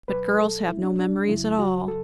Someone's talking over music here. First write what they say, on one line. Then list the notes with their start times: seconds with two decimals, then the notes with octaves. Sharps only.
But girls have no memories at all!
0.08 C#2 B2 F#3 B4
0.38 A4
0.69 E4
0.83 D4
0.99 D4
1.28 F#2 C#3 F#3 E4
1.59 F#4
1.88 A4